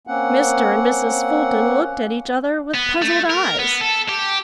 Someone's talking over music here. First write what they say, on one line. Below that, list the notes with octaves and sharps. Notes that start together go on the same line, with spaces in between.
Mr. and Mrs. Fulton looked at each other with puzzled eyes.
A#3 C4 C#4 F#5
B3
A3
A#4
B3
A4
G4